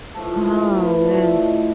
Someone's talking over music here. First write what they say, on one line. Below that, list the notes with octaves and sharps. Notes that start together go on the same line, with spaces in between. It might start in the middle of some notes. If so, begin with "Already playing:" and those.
Oh, man.
A2 F3 A3 A4
A#4
B4
A2 F3 A3 D5
E5
D#5